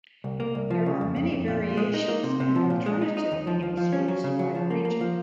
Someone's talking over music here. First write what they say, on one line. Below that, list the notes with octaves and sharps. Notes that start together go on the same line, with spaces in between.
There are many variations and alternative names used by region.
C2
A#3
C2
F3
C#3
F2
F2
F2
A#2
A#2
G#3
D#4
A#3
C3
C3
F3
A#2
G#3
D#4
D#4
D#2
F3
F3
F3
C#4
F#3
C#3
F#3
F3
A#3
A#3
F3